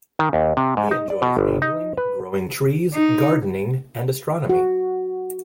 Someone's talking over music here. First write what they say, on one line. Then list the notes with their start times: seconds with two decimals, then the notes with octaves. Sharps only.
He enjoys angling, growing trees, gardening and astronomy.
0.19 D#3
0.33 D#2
0.57 C3
0.77 G#2
0.91 D#4
1.10 D5
1.22 B2
1.37 G1
1.62 D#4
1.97 B4
2.94 D#4
4.49 F#4